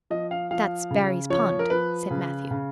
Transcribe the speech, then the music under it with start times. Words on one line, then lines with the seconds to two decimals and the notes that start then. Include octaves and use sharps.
"That's Barry's pond," said Matthew.
0.10 F3 D#5
0.31 F5
0.51 F3 F5
0.91 C#3
1.30 F3 C#5
1.59 A#4
1.70 F3 B4
2.11 C#3
2.51 C#3